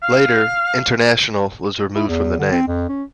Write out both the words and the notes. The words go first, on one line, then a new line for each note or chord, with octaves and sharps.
Later, "International" was removed from the name.
F5
E4
E2
D3
C4
F2
C#4